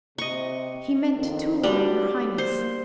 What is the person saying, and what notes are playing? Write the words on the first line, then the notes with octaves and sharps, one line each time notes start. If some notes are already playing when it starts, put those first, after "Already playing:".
"He meant to alarm your highness."
C3 D#5 C#6
F2 D#3
F#3 G3 B3 D4 F#4
A#3 C5